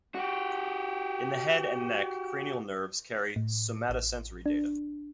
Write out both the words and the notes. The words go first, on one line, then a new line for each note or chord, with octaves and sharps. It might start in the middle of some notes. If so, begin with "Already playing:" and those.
In the head and neck, cranial nerves carry somatosensory data.
F#4 G4
A2
A1
D4